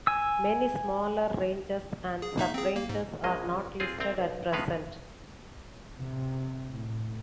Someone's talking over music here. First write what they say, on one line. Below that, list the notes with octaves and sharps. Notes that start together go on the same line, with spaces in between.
Many smaller ranges and subranges are not listed at present.
G#5 E6
G#4
A#3 D#4 E5
C4 G#4
A#3
G#2
A#1 C#3 G#3 A#3 D#5
C4 F4 G#4
C2 C4 A#5
B1
A2 G#3 B3 C#4 B4 F5
C3
A2